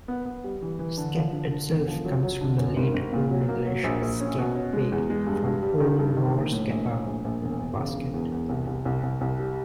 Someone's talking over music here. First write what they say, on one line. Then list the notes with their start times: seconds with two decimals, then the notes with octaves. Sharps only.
'Skep' itself comes from the Late Old English "sceppe", from Old Norse skeppa 'basket'.
0.08 B3
0.26 B3
0.44 G3
0.62 E3
0.79 E3
0.97 D3
1.16 F3
1.33 D3
1.51 D3
1.69 E1
1.88 F3
2.05 F#3
2.22 F#3
2.41 D3
2.58 F#2
2.76 G#1
2.94 G#1
3.12 A#2
3.30 F#3
3.49 A#3
3.66 F#3
3.84 A#1
4.02 A#1
4.20 C#4
4.38 B2
4.55 C#4
4.73 G#3
4.92 E2
5.10 G#3
5.27 G2
5.45 G2
5.63 G3
5.80 D#3
5.99 G2
6.17 D#3
6.34 A#1
6.53 A2
6.70 A#1
6.88 A2
7.06 A#1
7.24 A#1
7.42 E1
7.60 E1
7.78 C#3
7.96 E1
8.14 E2
8.32 E2
8.49 C2
8.67 C2
8.85 C2
9.03 C2
9.21 C2
9.39 G3